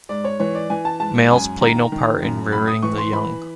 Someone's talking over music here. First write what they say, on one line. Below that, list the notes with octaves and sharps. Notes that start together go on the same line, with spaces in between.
Males play no part in rearing the young.
G#2 D5
C#5
E3 C#5
D5
E3 G#5
A5
G#2 A5
F#2 G#5
D#3 A#5
D#3
F#2
A2 B5
D#6
E3 C#6
C6
E3 B5